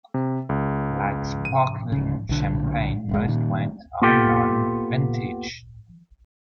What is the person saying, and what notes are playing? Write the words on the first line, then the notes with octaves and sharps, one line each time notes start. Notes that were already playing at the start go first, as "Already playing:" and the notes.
Like sparkling Champagne, most wines are non-vintage.
C3
C#2
D#7
D1 C#3
B1 D3
D1 G1 G#3
A#2 D#3
A#3 B3 F4 G4 A4 G5